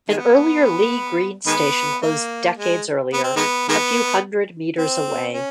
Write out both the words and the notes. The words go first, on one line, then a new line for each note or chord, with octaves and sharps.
An earlier Lea Green station closed decades earlier, a few hundred metres away.
D#3 G#3 B3
D#3 G#3 B3
A#3
G#3
B3
C4
D#3 G#3 B3
D#3 G#3 B3
C4
C#4